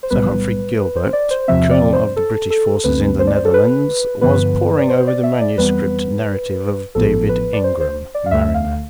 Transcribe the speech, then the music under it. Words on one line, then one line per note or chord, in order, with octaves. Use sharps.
Sir Humphrey Gilbert, colonel of the British forces in the Netherlands, was poring over the manuscript narrative of David Ingram, mariner.
C5
B1 A2 G3 B3 B4
B4
C5
D5
C5
E2 C3 F3 C4 E5
D5
C5
A4
A4
D2 D3 A3 C4 B4
C5
D5
C5
A4
B4
G2 D3 F3 B3 B4
D5
C5
D5
E5
D5
F2 E3 G3 B3 B4
A1 A2 F3 B3 A4
B4
D5
C5
C5
D5
F5
D2 D3 A3 E5
F5